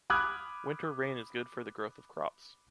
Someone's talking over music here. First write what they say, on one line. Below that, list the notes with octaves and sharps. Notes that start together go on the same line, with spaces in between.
Winter rain is good for the growth of crops.
B5 D6 D#6 F6 F#6 G#6